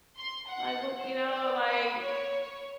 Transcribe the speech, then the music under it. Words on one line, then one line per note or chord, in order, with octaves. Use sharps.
like, what" you know? Like,
C6
F#5
C5
D5
B5
C#5
C#5